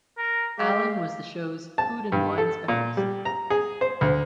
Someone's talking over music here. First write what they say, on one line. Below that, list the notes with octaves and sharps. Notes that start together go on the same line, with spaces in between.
Allen was the show's food and wine specialist.
A#4
G#3 G4 F5
A5
G2
A4
A#2
G3
A#5
G#4
C5
D2